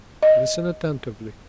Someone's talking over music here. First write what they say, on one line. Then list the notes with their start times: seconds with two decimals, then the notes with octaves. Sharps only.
"Listen attentively."
0.23 D#5